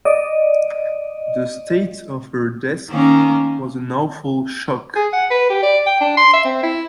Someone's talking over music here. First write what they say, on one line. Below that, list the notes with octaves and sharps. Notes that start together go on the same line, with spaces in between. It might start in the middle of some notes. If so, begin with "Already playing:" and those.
The state of her desk was an awful shock.
D5 D#5
D#3 A#3 C#4
G#4
F#5
B4
G4
D5
G5
D4
C6
E5
C4
E4